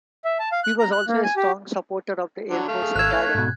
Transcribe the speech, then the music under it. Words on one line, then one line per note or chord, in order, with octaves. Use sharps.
He was also a strong supporter of the Air Force Academy.
E5
A5
F5
F#6
A#5
F#6
A#3
G#5
G4
D3 F#3
A3 F5
G#4
G#1 E6 F#6 G#6
C#5
G#2 B2